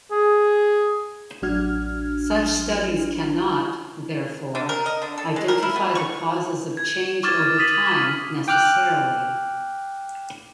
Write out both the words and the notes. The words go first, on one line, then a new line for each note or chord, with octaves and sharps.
Such studies cannot, therefore, identify the causes of change over time necessarily.
G#4
A1 F#3 D4 F#4 F6 G#6
D3
A#4
D#5
D3
A4
G#3
A#4
E4
B3
C#6
G#6
C#6 D6 F6 G#6 A6
D#6 A6 B6 D#7 F#7
C#6 D6 F6 B6
G5 D6 F6 F#6